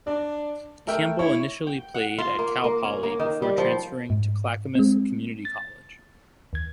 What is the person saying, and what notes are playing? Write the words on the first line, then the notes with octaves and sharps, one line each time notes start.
Campbell initially played at Cal Poly before transferring to Clackamas Community College.
D4 D5
A3 A#4 E5 G5
E4 C#5
G5
F#5
F4
A#3
A#3
C#4
A#3
D#3
G3
F3
G#2
G#3 C4
A6
D#2 G#6